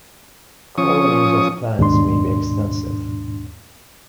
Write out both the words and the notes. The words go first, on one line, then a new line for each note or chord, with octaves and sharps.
Colonies of plants may be extensive.
F3 C#4 C#6 D#6
D#2 G#2 B2 D4 C6